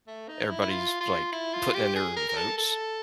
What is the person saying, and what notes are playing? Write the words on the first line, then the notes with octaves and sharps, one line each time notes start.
everybody's, like, putting in their votes.
A3
D#4
E4
E4
F4
F4
E4
F4
G4
G#4
A#4
A#4
A4
A4